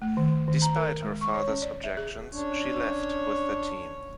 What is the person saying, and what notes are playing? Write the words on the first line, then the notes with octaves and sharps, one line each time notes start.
Despite her father’s objections, she left with the team.
A3
D#3
D#3
A#5
A#4
G#3
C#6
C#5
C#4
D5
E5
G#4
C#4 D4 C#5